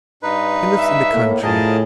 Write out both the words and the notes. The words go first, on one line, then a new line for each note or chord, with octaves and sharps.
He lives in the country.
G2 D#4 B4
E5
A2 A#3
A2 F3 G#4 A#4 D#5 A5